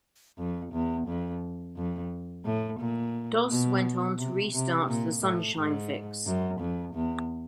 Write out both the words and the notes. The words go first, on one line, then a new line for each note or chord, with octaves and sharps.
Doss went on to restart The Sunshine Fix.
F2
E2
F2
F2
A2
A#2
B2
C3
C3
A#2
A2
G#2
F#2
F2
E2